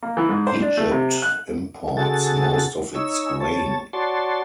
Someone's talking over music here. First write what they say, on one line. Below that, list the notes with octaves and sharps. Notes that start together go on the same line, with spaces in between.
Egypt imports most of it's grain.
A#3
E3
G#2
C5
D4
A3
C3
F#6
C#3 F#4 G#4 A4 A6
D#4 C#5 E6
C#5 A5
F#4 C#5 D5 A5 C6